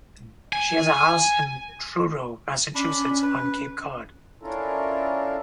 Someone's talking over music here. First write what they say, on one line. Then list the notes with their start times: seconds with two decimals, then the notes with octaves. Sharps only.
She has a house in Truro, Massachusetts on Cape Cod.
0.53 G#5
2.75 C#4 D4 B5
3.23 B4
4.41 C#4 D4 E4 F4 A4 A#4